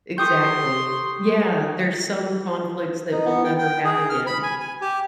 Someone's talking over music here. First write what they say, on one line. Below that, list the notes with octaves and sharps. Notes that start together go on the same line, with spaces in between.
Exactly. Yeah. There's some conflicts that we'll never have again
G4 A4 C#5 C6 C#6 D#6 G6
D#4
B3
G5
G5
G#4
F6
B5
G#5
G#5
G4